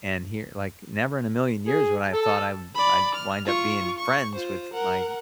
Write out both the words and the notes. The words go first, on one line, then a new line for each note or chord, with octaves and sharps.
And he like, never in a million years would I have thought I'd I'd wind up being friends with my,
G#4
A4
D5 B5
F6
F4 C#6
C#6
F4 C5
A#4 F#5